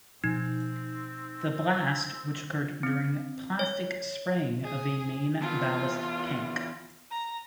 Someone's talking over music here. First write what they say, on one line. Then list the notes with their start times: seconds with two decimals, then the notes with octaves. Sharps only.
The blast, which occurred during plastic spraying of a main ballast tank.
0.24 B2 F3 C4 D#4
2.83 C4
3.59 C#5
4.63 G#4
5.42 E3 B3 F4 A5
7.11 A#5